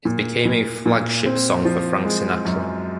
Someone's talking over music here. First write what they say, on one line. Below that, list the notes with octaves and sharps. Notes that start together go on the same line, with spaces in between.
It became a flagship song for Frank Sinatra.
A#2
A#2
A#2
C4
F3
G#3
F#2